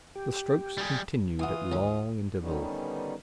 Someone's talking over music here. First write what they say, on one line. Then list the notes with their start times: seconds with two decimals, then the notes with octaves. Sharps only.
The strokes continued at long intervals.
0.16 G4
0.78 G3 G#4
1.39 E3 F4 F#4 G#5 D#6
1.72 D2 C#4
2.40 D3 D#3 G3 B3 C#4 D#4